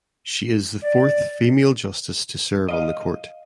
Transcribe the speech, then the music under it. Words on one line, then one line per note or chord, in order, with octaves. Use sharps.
She is the fourth female justice to serve on the court.
D5
D#5 F5